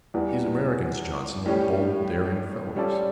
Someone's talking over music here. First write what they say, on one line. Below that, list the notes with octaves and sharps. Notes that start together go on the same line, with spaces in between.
These Americans, Johnson, are bold, daring fellows.
E2 E3 G3
A2 G3 C#4 G4
G3 C#4 F4 A4 D5